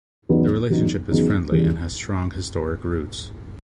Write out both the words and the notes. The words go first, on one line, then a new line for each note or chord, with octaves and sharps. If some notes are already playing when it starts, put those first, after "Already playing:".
The relationship is friendly and has strong historic roots.
E2 C#3 F#3 B3 D#4
E2 C#3 F#3 B3 D#4
E2 C#3 F#3 B3 D#4
E2 C#3 E3 G3